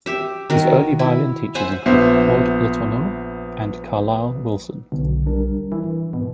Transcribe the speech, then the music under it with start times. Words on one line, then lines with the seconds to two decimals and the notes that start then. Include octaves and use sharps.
His early violin teachers include Claude Letourneau and Carlisle Wilson.
0.06 G4 E5
0.50 D#3 F#4 A#4
0.99 E4
1.55 C5 E5 F#5 G#5
1.86 A#1 B3 C5 E5
4.92 B1 D3
5.26 G3 D4 A#4
5.72 E3
6.13 G#2 B2